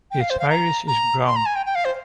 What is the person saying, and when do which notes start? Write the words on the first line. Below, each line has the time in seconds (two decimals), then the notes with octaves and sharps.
Its iris is brown.
0.11 G5
0.21 F5
0.30 C5
0.40 F5
0.50 A#5
0.88 A#5
1.27 C6
1.36 A#5
1.46 G#5
1.56 G5
1.66 G5
1.75 F5
1.85 C5